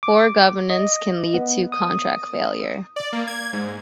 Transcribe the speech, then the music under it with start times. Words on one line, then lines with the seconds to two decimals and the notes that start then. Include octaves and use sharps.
Poor governance can lead to contract failure.
0.03 D6
0.70 D#5
1.34 B3
1.72 D#6
2.96 D5
3.13 A#3
3.27 G#6
3.53 G#2